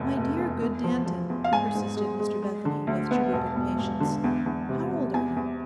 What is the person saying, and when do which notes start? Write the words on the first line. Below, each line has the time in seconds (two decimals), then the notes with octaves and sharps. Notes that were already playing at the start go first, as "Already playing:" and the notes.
'My dear good Danton,' persisted Mr Bethany with cherubic patience, 'how old are you?'
Already playing: F1 E2
0.17 F1
0.39 E2
0.62 E2
0.84 F3
1.06 F3
1.30 E2
1.44 F5
1.51 G#2 G#5
1.75 G#2
1.97 G#3
2.20 G#3
2.42 G#3
2.65 D3
2.87 D2
3.11 B3
3.33 E1
3.56 E1
3.78 E1
4.00 D3
4.24 E2
4.46 E2
4.69 C3
4.91 C3
5.14 E2 G#5
5.36 E2